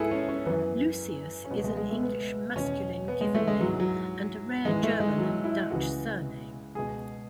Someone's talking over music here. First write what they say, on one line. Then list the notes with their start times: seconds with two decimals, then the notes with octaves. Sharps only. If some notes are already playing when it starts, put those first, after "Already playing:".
Lucius is an English masculine given name and a rare German and Dutch surname.
Already playing: G#2 E4 G#4 A4 B4
0.11 C#4
0.28 C#4
0.46 F#2 E3 B3
1.45 C#4
1.51 C#2 B2 B3
1.64 G#3
1.77 G#3
1.90 A3
2.03 B3
2.56 E2 B2 C#4
3.08 B3
3.21 G#3
3.34 A3
3.48 G#3
3.60 G#2 E3 F#3
3.80 F#3
4.65 G#2 E3 G#3
4.83 A3
5.00 G#3
5.18 F#3
5.44 E4
5.70 C#2 C#3 E3 F#4
6.75 C#2 B2 G#4